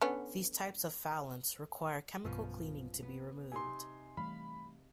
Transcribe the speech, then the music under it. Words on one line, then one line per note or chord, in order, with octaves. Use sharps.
These types of foulants require chemical cleaning to be removed.
D3 B3 C#4
B1 G2 B2 F3 B3 C#4
B3
C3 D#4 G#5 C6
E3 G3 A3 F5 B5